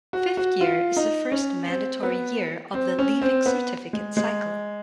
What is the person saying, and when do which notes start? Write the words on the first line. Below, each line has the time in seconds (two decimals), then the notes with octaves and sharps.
Fifth year is the first mandatory year of the Leaving Certificate cycle.
0.13 F#4
0.37 F#4
0.61 F4
0.96 D#4
1.32 C#4
1.68 C4
2.03 B3
2.74 C4
2.99 C#4
3.22 C4
3.46 B3
3.93 G#3
4.17 G#3